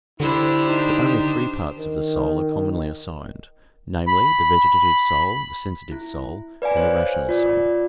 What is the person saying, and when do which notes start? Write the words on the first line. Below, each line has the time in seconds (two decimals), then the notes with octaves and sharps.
But only three parts of the soul are commonly assigned--namely, the vegetative soul, the sensitive soul, and the rational soul.
0.20 D3 D4 E4 G4 C5
0.69 D#4
1.79 D#3
4.07 B5
5.92 E4
6.62 B4 D5 F5 G#5
6.77 C5 C#5
7.29 F4 D5